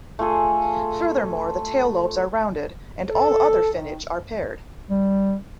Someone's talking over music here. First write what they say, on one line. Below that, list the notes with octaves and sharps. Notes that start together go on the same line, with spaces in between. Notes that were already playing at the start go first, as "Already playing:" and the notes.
Furthermore, the tail lobes are rounded, and all other finnage are paired.
A3 F4 G#4 A4
A4
D#3
G3